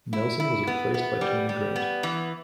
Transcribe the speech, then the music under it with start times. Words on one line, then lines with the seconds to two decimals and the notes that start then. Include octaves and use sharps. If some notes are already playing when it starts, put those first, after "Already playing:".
Nelson was replaced by Tony Grant.
0.13 E4
0.40 E4
0.67 B3
0.94 B3
1.21 G3
1.49 G3
1.76 B3
2.03 E3